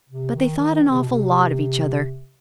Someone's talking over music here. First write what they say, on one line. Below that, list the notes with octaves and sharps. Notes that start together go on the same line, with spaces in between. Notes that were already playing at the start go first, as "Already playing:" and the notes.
But they thought an awful lot of each other.
C3
D#3
D#3
D#3
C3
B2
C3